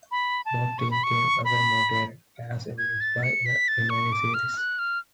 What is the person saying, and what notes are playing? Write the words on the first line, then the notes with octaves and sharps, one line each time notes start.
Both teams came away motivated, as evidenced by the remaining series.
B5
A5
C#6
B5
C#6
B5
G#6
A6
C#7
B6
A6
C#6
D6
F6
F#6
F6